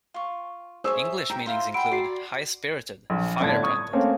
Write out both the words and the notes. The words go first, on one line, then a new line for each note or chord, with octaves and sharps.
English meanings include: high-spirited, firebranded.
F4 C#6
G#4 C5 C#5 E5 E6
E5 G5 A#5
E4 F4 C5
E5 F#5 G5 B5 D7
F#4 D5 C7
A#1
G1 A2 D5 A5 G#6
C#6 D#6 G#6
A3 A#3 C4 C#4